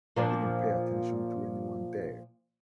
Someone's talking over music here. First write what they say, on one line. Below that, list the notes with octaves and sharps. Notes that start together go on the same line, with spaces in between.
He didn’t pay attention to anyone there.
A#2 F3 D4